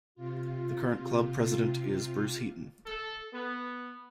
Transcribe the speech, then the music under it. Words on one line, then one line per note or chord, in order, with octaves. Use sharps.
The current club President is Bruce Heaton.
C3 F4
A4
B3